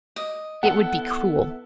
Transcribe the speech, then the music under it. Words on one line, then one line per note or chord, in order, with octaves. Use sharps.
It would be cruel.'
D#5
B3 E4 A4 F#5